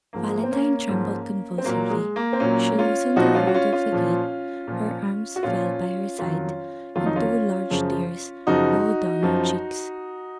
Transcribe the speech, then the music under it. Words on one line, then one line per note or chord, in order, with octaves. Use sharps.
Valentine trembled convulsively; she loosened her hold of the gate, her arms fell by her side, and two large tears rolled down her cheeks.
G#2 F3 A#3
G#3
A#3
C4
A#3 C#4
G#2 F3
C4
A#2 F#3 A#3
G#3
A#3
C4
A#2 F#3 A#3 C#4
C#4 F4
A#2 F3 D#4 F#4
C#4 F4
F#4
C#4 F4
C#4 F4
A#2 F3
A#2 F3
F#4
A#2 F3 C#4 F4
F2 D#3 F#3 C#4 F4
F2 D#3 F#3 F4
D#4
C#4 F4
F#2 C#3 F3
F#2 C#3 F3 D#4 F#4
F#2 F3